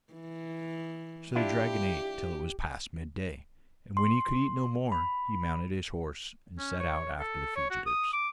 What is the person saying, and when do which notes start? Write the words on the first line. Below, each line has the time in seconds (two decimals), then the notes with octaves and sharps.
So the dragon ate till it was past mid-day, and when he could eat no more he mounted his horse and set out after the fugitives.
0.12 E3
1.35 D4 E4 F4 G4
3.97 C6
4.92 B5
6.59 C#4
6.80 C#5
7.20 A4
7.56 C#5
7.71 F#4
7.86 D#6
8.13 D6